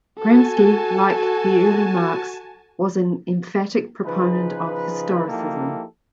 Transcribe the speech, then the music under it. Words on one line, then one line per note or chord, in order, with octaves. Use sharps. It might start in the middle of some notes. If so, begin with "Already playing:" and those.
Gramsci, like the early Marx, was an emphatic proponent of historicism.
F#4 A4 G#5 A5
C#3 F3 D#4 G#4 B4
F3 A#3 D#4 E4 G4 A4